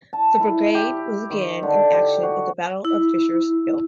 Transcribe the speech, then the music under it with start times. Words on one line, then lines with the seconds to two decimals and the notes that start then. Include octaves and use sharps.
The brigade was again in action at the Battle of Fisher's Hill.
0.13 A5
0.40 E4
0.75 G4
1.30 D#3
1.63 D3
1.94 G4
2.23 F#4
2.85 E4